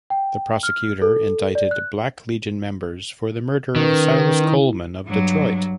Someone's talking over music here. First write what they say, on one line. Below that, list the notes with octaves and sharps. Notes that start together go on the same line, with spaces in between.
The Prosecutor indicted Black Legion members for the murder of Silas Coleman of Detroit.
G5
F6
A4
D5
F#6
D#3 C#4 A#4 B4
E4
G2 F#3